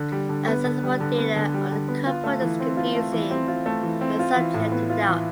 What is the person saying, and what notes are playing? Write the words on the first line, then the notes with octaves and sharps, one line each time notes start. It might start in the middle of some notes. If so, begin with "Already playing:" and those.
Accessible data on the couple is confusing and subject to doubt.
Already playing: D3
G3
D3
B3
D3
G3
D3
B3
D3
G3
D3
B3
F4
A3
E3
C4
F4
A3
E3
C4
F4
A3
E3
C4
F4
E3
A2
B3
F4
E3